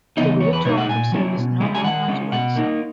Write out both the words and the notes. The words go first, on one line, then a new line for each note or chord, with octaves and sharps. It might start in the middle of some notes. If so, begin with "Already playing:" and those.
They were withdrawn from service not long afterwards.
C#3 E3 B3 D#4 D#5
E2 C#5
B4
B2 G#3 D#4 C#5
F#5
A#2 G#5
F#3 C#4 E4
B2
G#3 C#4 E4
G#5
D#3 F#5
G#3 C#4
B2 F#5
A#3 D#4